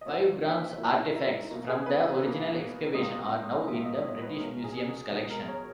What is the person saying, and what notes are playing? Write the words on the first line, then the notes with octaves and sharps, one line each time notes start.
Five bronze artefacts from the original excavation are now in the British Museum's collection.
D#5
A#2 A#3 C#5
E5
A#2 A#3 E4
D#4
E4
E4
B2 A#3
G#4
B4
B2 A#3
C#2 B2 A#3 D#5
C#2 B2 A#3 E5
D#5
C#5
B4
B2 G#3 B3 A#4
G#4
G#4
F#4
B2 G#3 B3
A#4
C#5